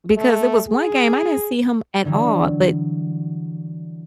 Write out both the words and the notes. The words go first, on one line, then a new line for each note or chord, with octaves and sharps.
because it was one game, I didn't see him at all, but
A3
G#4
D3 E3 F#3 G3